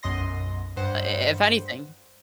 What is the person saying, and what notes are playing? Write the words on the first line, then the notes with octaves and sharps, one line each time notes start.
I if anything.
B1 F#2 D#5 C6 A#6
G2 C5 F#5